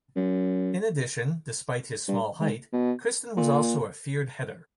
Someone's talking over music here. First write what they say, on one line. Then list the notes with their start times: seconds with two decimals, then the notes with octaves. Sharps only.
In addition, despite his small height, Kirsten was also a feared header.
0.16 F#2
2.08 G2
2.41 G#2
2.73 B2
3.37 A#2